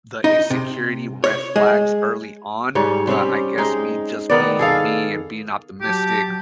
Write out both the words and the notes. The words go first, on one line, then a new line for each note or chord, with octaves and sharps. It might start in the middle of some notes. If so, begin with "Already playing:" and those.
the insecurity, red flags early on, but I guess me just being me and being optimistic,
D#4
C3
C#5
G#3
G#2 G3 C#5
G3 C4 C#4 G4
G#3 D#4
D#3 B3 D5
G#4 A4 F5
F#3 G4 A5